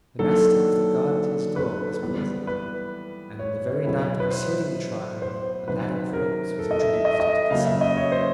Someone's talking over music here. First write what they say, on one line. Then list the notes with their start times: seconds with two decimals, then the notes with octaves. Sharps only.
The mastiff that guarded his door was poisoned; and, on the very night preceding the trial, a ladder of ropes was introduced into the cell.
0.19 D#3 F#3 A#3 D4 A4
1.56 B4
2.02 E3 G3 B3
2.47 B4
3.39 C#5
3.84 B2 F#3 B3 E4
4.20 B4
4.30 C5
5.22 C5
5.68 C3 D#3 F#3 B4
6.13 A#4
6.59 A4
6.71 D#5
6.82 E5
6.94 E5
7.05 D#5
7.20 D#5
7.50 C#3 F#3 A#3 C#4 F5
7.66 E5
7.81 D#5
7.97 C#5
8.12 C5